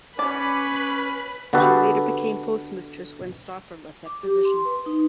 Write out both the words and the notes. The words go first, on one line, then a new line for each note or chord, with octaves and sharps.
She later became postmistress when Stauffer left that position.
C#4 B4 D5 B5
D3 B3 F#4 G4 A4 B4
D6
G4
C6
B4
D#4